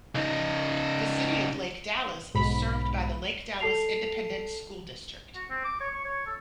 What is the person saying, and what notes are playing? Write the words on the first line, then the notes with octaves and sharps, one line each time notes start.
The City of Lake Dallas is served by the Lake Dallas Independent School District.
C#3 D#4
B1 G#2 B5
A4 A5 C7 F7
F#4
C4
D6
C#5
C#6
C#5
A4